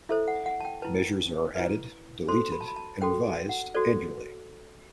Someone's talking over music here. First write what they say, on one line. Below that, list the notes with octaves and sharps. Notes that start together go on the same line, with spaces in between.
Measures are added, deleted, and revised annually.
E4 A4 C5 E5
F#5
F#5
A5
G5
E4 B4 A5
E4 B4
F#4 A4 C5 C6
B5
A5
B5
A5
F#4 A4 C5 G5
F#5
F#4 A4 C5 D5